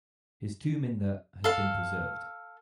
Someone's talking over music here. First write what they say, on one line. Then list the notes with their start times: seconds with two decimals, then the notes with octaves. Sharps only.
His tomb in the has been preserved.
1.44 A4 F5